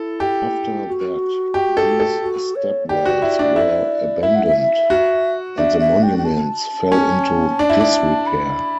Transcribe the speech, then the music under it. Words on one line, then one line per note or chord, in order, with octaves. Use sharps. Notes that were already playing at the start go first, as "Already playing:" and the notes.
After that, these stepwells were abandoned and the monuments fell into disrepair.
Already playing: E4 A4
G4
F#4
G4
A4
A4
F#4
C#5
G4 D5
F#4
E4
D4
E4
E4 E5
F#5
E5
F#4
D4 E5
E5
G5
G5
A5
C#4
D4
E4
D4
B5